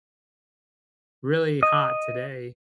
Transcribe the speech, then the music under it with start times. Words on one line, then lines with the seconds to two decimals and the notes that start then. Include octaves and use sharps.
really hot today
1.63 D#5